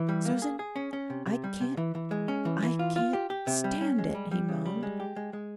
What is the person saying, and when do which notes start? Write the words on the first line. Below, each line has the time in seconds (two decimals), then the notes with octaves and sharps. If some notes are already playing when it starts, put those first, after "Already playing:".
"Susan, I can't! I can't--stand it," he moaned.
Already playing: E3
0.09 G3
0.25 A#3
0.42 G#4
0.59 G#4
0.76 C#4
0.93 C#4
1.10 C3
1.26 C3
1.44 G3
1.61 C3
1.77 E3
1.95 E3
2.11 G#3
2.28 C#4
2.45 E3
2.63 E3
2.79 F4
2.96 F4
3.13 G4
3.30 G4
3.47 C3
3.64 G3
3.81 C#4
3.98 G#3
4.15 G3
4.31 G3
4.49 C#3
4.66 G3
4.83 G#3
5.00 G4
5.16 G#3
5.33 G#3